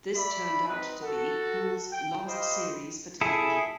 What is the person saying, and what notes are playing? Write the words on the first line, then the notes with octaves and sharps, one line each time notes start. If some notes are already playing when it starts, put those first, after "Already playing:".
This turned out to be Cool's last series for television.
D5 E5 B5
C4 D#4 B4
F#4 A4
G5
F4 G4 C5 D#5 B5
E4 G#4 A4